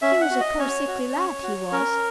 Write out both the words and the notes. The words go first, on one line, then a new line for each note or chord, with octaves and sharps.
He was a poor sickly lad, he was!
C#4 E5
F#5
F#4
D#5
C#4 C#5
F#4
C#4
F#4
C#4 A#4